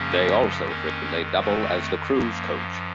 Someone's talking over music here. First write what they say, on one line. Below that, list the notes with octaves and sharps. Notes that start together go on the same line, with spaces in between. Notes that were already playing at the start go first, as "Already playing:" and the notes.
They also frequently double as the crew's coach.
Already playing: F#2 C#3 F3 A#3 C#4
F2 D#3 A#3 C#4
A3 C4
F#2 F3 A#3